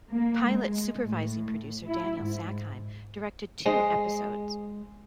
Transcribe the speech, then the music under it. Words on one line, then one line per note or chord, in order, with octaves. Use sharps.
"Pilot" supervising producer Daniel Sackheim directed two episodes.
A#3
G#3
A2
E4
G#2
G#3 G#4 C5 D#5